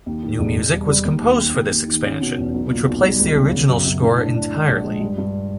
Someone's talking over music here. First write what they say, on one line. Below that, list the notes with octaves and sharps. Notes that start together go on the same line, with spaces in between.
New music was composed for this expansion, which replaced the original score entirely.
D#2
D#3
E1
E1
G3
G3
D#2
D#2
D#2
D#2
D#2
D#3
C#4
B2
E2
B1
A#2
B1
G3
C#2
B2
C#3
F#2
F#2
A2
D4
D4
G#3
A#1
G#3
G2
G2